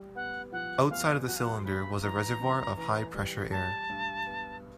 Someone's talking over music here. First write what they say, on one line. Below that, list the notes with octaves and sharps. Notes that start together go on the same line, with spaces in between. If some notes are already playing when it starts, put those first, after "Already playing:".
Outside of the cylinder was a reservoir of high-pressure air.
Already playing: G3
B3 F#5
F3 F#5
E2 F5
F#3 F#5
F5
F#5
C6
G2 B5
E3 A#5
F#2
E3
G3
G3 A5
G2
B3